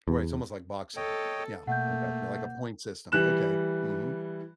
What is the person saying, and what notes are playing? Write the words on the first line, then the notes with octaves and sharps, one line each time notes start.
Right, it's almost like boxing. Yeah, I got you. Like a point system. Okay. Mhm.
E2
A4 C#5 D#5 G5
B2 A3 A#3 F#5 G6
E3 G3 F#6 E7